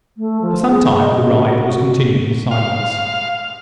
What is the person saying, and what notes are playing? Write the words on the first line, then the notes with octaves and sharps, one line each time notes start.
For some time the ride was continued in silence.
A3
F3
G#4
D#5
C#3
F#4
F5